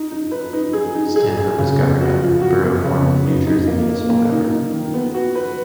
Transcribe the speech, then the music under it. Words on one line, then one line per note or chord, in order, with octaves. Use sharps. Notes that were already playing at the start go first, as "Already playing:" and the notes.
Stanhope is governed under the Borough form of New Jersey municipal government.
Already playing: D#4
D#4
B4
D#4
G#4
D#4
G#4
G#4
C#3
B3
F#4
F3
F#4
B3
C#3
B3
D#4
D#4
A#3
A#3
A#3
D#4
D#4
D#3
B3
F#4
B4